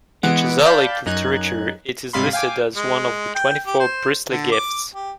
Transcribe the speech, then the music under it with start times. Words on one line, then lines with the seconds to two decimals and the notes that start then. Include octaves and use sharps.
In Chazalic literature it is listed as one of the twenty-four priestly gifts.
0.23 E3 G#3 B3 F#5 D7
0.65 D5 F5 G5 A5 B5 G6
1.06 F#2 D#4 F#6 G#6
2.13 G#2 C3 G3 F5 B5 C6
2.33 F5 G5 G#5 D6
2.76 G#3
3.35 G5
3.66 G4
3.80 C5
4.29 D3
4.52 D6
4.95 G4